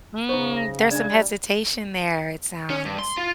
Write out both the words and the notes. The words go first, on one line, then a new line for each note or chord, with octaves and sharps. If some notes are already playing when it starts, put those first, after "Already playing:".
Hmm, there's some hesitation there, it sounds.
C#3 D#4 C5 C#6
A#6
F#5
G#3 D4 G#6
G3
C#4
G2
C6
F4